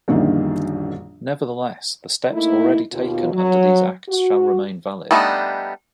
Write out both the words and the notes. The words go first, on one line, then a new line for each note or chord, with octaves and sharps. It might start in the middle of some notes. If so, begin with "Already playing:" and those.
Nevertheless, the steps already taken under these Acts shall remain valid.
A#1 F#2 A#2 D3 D#3 G3
A3 A#3 D#4 E4
D#2 B2 F4
F#3
F#4
G3 A3 B3 D4 D#4